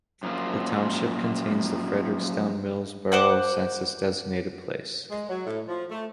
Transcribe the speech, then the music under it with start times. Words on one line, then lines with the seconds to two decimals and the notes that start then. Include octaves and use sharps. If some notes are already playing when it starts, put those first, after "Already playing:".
The township contains the Frederickstown-Millsboro census-designated place.
0.23 F#2 A#2 F3 A#3 F4
3.12 C5 F#5 D6
5.11 G#3
5.30 F#3
5.46 A2
5.68 F3
5.91 A3